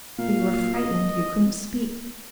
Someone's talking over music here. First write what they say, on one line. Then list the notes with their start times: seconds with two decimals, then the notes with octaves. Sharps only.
For you were frightened; you couldn't speak.
0.18 A#2 F5
0.74 D#5